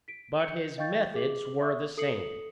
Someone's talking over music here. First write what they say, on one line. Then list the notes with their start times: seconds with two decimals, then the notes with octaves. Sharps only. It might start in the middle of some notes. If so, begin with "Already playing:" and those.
But his methods were the same.
0.08 B6 D7
0.40 G6 C#7
0.78 D#5 F5 G5 C#6 G6 A6
1.14 G#4 D6 F#7
1.60 E5 C#6 D#6
1.97 A4 D#6 C7 C#7 F#7